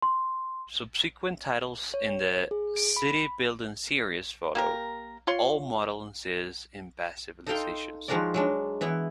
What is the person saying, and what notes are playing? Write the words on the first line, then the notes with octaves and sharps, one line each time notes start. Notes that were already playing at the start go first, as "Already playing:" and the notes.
Subsequent titles in the "City Building Series" followed, all modeling cities in past civilizations.
C6
C#5
G#4
D7
B5
A#3 G4 A#4
F4 C#5 C6
D#4 A4 D#5 F5 G5 C6
D#3 F3 G#3 F#4 A#4 D5
F#3 G#3 D4
E3 B3 E4